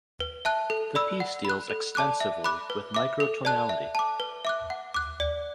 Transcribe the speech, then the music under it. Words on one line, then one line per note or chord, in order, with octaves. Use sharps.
The piece deals extensively with microtonality.
B4
E5 A5 F#6
A4
D5 B5 E6
F#5
B5 F#6
A4
D5 A5 D6 F#6
E5
B5 D6 F#6
B4
E5 D6
A4
D5 A5 F#6
E5
A5 D6
B4
E5 D6 F#6
F#5
D6 F#6
D5